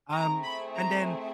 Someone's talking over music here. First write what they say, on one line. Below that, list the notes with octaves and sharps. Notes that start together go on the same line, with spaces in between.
Um, and then
A3 C4 E4 G#4 A#5
B5
A#5